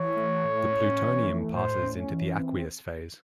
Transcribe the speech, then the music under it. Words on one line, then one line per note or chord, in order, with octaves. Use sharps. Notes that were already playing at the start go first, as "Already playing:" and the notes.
The plutonium passes into the aqueous phase.
Already playing: E3 C#5
A3
A2
C#4
E3
A3
A2 C5
C#4
E3
C4